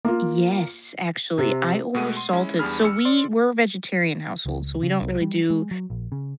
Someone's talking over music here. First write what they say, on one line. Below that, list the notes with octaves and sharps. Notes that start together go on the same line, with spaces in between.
Yes, actually, I over salted. So we were vegetarian household, so we don't really do
A#3 F4
C3
B2 G#3 A3 F#5 D#7
C6
G#3 C#4 E4
E2 G3 D4 G#4 B5 F6
E6 C#7
D5 C6
C#2
C#3
C2
G3
G#3
F#3
A#1
C#3